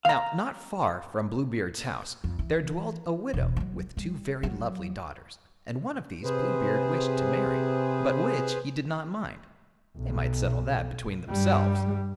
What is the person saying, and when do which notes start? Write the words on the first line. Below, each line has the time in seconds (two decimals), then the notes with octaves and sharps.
Now, not far from Bluebeard's house there dwelt a widow with two very lovely daughters, and one of these Bluebeard wished to marry, but which he did not mind, they might settle that between themselves.
0.05 F5 A#5
2.24 F2
2.39 E3
3.34 E1 F#2
3.56 F3 F#3
3.97 G3
4.43 F#3
6.24 C3 G#4 B4 C5
9.97 B1
11.29 G2 G3